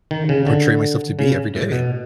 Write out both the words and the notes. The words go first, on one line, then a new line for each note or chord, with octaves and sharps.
portray myself to be every day.
D#3
C#3
D3
C#3
A2
B2